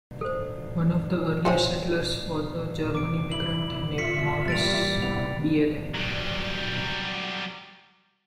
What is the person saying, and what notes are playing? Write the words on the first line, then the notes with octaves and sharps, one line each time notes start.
One of the earliest settlers was a German immigrant named Maurus Biehle.
A4 C5
F3 E4 C5 C#5 G5 G#5
E2 C3 D6 D7
E4 F#7
F4 E5 B6 C#7
B2 E3 G3 A#3 A6 D7 F7
C3 B3 E4 F7
F#3 G3